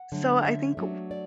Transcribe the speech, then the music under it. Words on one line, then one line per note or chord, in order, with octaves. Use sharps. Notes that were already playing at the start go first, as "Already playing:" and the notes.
So I think w
Already playing: F#5
D3 F#3 A3
E5
F#3 A3 D4
D5